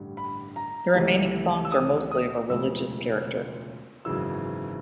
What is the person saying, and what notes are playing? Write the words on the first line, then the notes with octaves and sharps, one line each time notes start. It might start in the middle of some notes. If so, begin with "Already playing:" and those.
The remaining songs are mostly of a religious character.
Already playing: A1 G2 D3 G3
B5
A#5
C#2 C3 E3 A3
E6
D#6
D#6
E1 D2 C#3 F3 G#3 E6
G#1 F#2 C#3 E3 E6